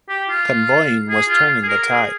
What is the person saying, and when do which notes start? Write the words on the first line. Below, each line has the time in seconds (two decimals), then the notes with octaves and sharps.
Convoying was turning the tide.
0.09 G4
0.29 F4
1.09 G#4
1.28 F4
1.63 G#4
1.68 A#4
1.88 G#4